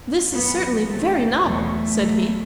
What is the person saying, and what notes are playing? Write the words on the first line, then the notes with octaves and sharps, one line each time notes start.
"This is certainly very novel," said he.
F#2 E3 B3
E2 C3 F#3 A3
E2 B2 F#3 A3
E2 B2 F#3